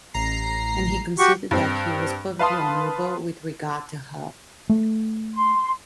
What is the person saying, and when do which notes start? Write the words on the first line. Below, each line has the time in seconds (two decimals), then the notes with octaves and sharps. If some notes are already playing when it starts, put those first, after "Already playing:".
And he considered that he was perfectly honourable with regard to her.
0.14 A1 A#5 C7
1.19 F#4 G4 C#6
1.51 G2 C4
2.39 B4 F5 A5 C6 D#6
4.69 A3
5.35 C6